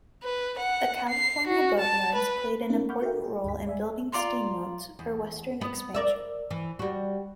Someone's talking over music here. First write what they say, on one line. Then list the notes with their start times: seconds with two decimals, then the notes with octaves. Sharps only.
The California Boatyards played an important role in building steamboats for western expansion.
0.23 B4
0.58 F#5
1.09 C7
1.47 F#4
1.79 A5
2.15 B4
2.70 A#3 B3 C#4 D#4 A#4 F5
2.89 F#5 B5 C#6 D6 F6 G6
3.02 F#4 A4 A#4 E5 F5 G5
3.24 G#4
3.44 D2 G2 B6
3.67 D5 E5 G#5
4.12 F4 D5 A#5 C6
4.99 E2
5.61 B3
5.94 A#4 D5 E5
6.51 E3
6.79 G3 F#4